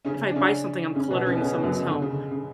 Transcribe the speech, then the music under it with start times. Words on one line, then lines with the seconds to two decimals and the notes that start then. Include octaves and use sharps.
if I buy something, I'm cluttering someone's home.
0.05 C#3 C#4
0.31 D4
0.36 C#3 C#4
0.95 C#3 C#4
1.11 B2 B3
1.26 C#3 C#4
1.37 B3
1.40 C#3 C#4
1.63 F#2 F#3
1.86 D3
2.02 C#3
2.31 C#3